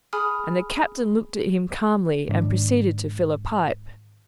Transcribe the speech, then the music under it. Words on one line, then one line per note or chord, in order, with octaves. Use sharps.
And the captain looked at him calmly and proceeded to fill a pipe.
G#4 G#5 B5 D#6 F6
G#2 D#3 C#4 D4